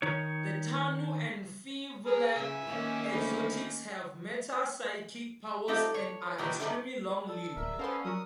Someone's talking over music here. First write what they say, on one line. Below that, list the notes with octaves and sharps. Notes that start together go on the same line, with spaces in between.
The Tanu and Firvulag exotics have metapsychic powers and are extremely long-lived.
D#3 D#4 C#5
G#4 A#4
C#3 E5 G#5
D#3 A#3 C#4
D2 D#4 E4
A3 C4 D#4 F4 G4 A4
C#5
A#2 D#3 E3 F#3 G3
G#2 G3 A3 D#4 A4 D5
A4 D5 E6
D1 A#4 E5
B3 C#4 A4 A#4 C5 F5 C6
F#3 F#4 A#4 D#6